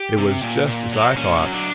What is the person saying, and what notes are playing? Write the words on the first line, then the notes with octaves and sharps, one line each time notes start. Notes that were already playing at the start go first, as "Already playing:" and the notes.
It was just as I thought.
Already playing: G4
C3
A#2
A#2
F#3
A#2 C#4
F#3
D4